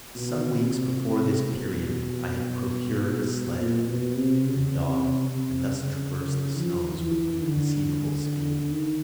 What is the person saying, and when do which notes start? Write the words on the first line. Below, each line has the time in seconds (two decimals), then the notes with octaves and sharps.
Some weeks before this period I had procured a sledge and dogs and thus traversed the snows with inconceivable speed.
0.15 B2
0.58 C3
1.01 C3
1.43 B2
3.58 A#2
3.86 B2
4.15 C3
4.43 C#3
4.86 C3
5.29 C3
5.71 C#3
6.15 C#3
6.57 F3
7.00 E3
7.43 D3
8.71 D#3